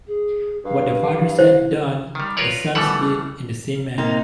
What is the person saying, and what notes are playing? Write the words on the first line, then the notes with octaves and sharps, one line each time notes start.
What the fathers had done, the sons did in the same manner.
G#4
G2 F5
E4 C5
D#3 G3
F4 A#4 B4 C#5 D5
B2 E3 G3 A3 A4 F#5
C3 A#3 D#4